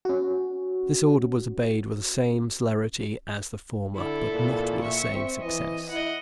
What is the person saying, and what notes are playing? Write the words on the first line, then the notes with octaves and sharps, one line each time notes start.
This order was obeyed with the same celerity as the former, but not with the same success.
C#4 F#4
D3 E4 A4
A#2
E5 C#6
C4
E3 D#5
E4 D#5 F#5